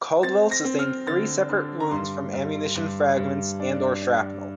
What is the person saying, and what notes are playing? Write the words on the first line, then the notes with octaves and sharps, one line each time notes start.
Caldwell sustained three separate wounds from ammunition fragments and or shrapnel.
C4 A6
A#6
C4
F6
D3 A6
D3
A#5
G2 C6
G2
G2
G2
D4
D4